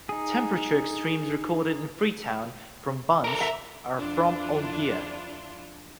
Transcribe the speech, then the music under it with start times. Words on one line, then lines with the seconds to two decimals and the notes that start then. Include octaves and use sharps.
Temperature extremes recorded in Freetown from Bunce are from all year.
0.09 D#4 G#4
3.24 A4 A#4
3.40 E5 A#5
3.97 F2 D4 E4 F4